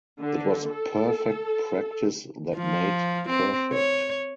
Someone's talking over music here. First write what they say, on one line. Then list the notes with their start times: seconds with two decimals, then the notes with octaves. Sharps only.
It was perfect practice that made perfect.
0.20 D3
0.72 A4
2.57 F3
3.29 C4
3.73 C#5